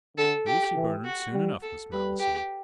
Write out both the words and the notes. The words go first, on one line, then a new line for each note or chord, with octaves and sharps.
"You will see Bernard soon enough, Miss Malleson."
D3 A4
G4
E3
F#4
G3
A4
G3 B4
G4